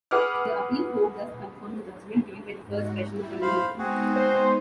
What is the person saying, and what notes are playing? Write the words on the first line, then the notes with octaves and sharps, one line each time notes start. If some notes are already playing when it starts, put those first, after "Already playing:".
The appeal court thus confirmed the judgement given by the First Special Criminal Court.
G#4 B4 F#5 D6 F6
G#2 F#4
G3 E4
C5 F5 B5
G#3 B3 C4 D#4 F#4 G#4
C5